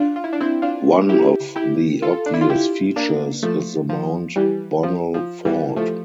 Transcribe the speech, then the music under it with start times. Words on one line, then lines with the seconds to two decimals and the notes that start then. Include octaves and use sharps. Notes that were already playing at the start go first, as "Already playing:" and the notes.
One of the obvious features is the Mount Bonnell Fault.
Already playing: D4 F4
0.16 F4
0.24 E4
0.33 D4
0.41 C4 E4
0.62 D4 F4
1.09 E4 G4
1.56 E4 G4
2.02 F4 A4
2.26 D4
2.34 E4
2.41 F4
2.50 E4 G4
2.96 A#3 D4
3.43 F3 A3
3.89 F3
4.36 E3 G3
4.83 F3
5.14 F3
5.45 E3 G3
5.76 F3 A3